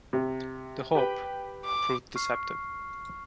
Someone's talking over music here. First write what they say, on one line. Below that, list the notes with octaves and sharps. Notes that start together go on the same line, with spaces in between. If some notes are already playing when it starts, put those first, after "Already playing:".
The hope proved deceptive.
C3
G4 B4 G5
D6
C#6 F6 C7